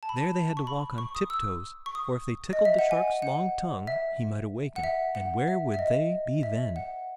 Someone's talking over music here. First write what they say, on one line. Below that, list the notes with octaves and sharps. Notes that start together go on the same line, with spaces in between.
There they had to walk on tiptoes, for if they tickled the Shark's long tongue he might awaken--and where would they be then?
A5
B5
A5
C#6
B5
C#6
D#6
E6
C#6
D#6
D#5
E5
F#5
G#5
F#5
E5
F#5
E5
F#5
E5
E5
D#5
E5
F#5